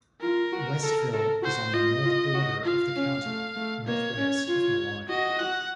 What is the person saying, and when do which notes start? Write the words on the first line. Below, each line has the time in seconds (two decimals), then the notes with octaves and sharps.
Westville is on the north border of the county, northwest of Malone.
0.21 F4 A#4
0.53 F#4
0.83 A4
1.13 A4
1.43 F#4 C5
1.74 F4 D#5
2.05 F4
2.34 F#4
2.65 F4 F5
2.96 C#4
3.25 A3
3.56 A3
3.87 A#3 C#5
4.17 C#4
4.48 F4
5.09 F#4 D#5
5.39 F#5